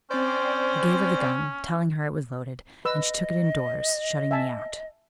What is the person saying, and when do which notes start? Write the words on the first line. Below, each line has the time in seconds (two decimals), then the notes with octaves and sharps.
I gave her the gun, telling her it was loaded, and she took it indoors, shutting me out.
0.11 C4 C#4 C5 D5
2.85 B4 D#5 E6
4.31 E5 G#5 A5